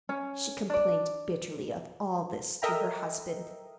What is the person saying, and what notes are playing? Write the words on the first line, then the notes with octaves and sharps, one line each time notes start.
She complained bitterly of all this to her husband.
C#4
D4 D5
A4 A#4 D#5 E5 G5 A#5